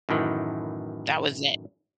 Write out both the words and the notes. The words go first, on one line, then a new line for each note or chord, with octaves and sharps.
that was it.
F#2 A2 D#3 E3